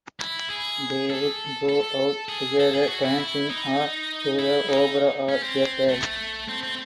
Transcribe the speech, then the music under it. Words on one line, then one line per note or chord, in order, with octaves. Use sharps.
They would go out together dancing or to the opera or theatre.
E4
G#4
A4
A4
G#4
A4
G#4
F#4
E4
E4
D#4
E4
D#4
C#4
C4
A3
C4
C4